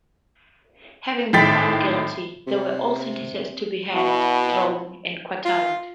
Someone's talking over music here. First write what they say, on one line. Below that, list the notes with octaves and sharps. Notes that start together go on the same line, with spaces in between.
Having been found guilty, they were all sentenced to be hanged, drawn and quartered.
G#1 A2 G5 A6 B6
C3
B2 E4 F#4
C4 E4
F4